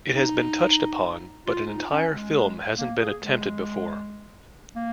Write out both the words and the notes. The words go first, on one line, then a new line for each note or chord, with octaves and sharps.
It has been touched upon but an entire film hasn’t been attempted before.
D#4
F4
D#4
C#4
G#3
A#3
G#4
G#3
A#3